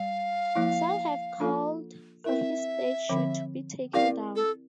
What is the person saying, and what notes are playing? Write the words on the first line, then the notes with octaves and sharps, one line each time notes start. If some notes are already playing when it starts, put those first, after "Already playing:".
Some have called for his statue to be taken down.
Already playing: G3 F5
F3 A#3 E4
F3 A#3 D4 F4 A4
C4 E4 A#4 E5
D3 F3 C4
C4 E4 G4 A#4 D5 F5
A4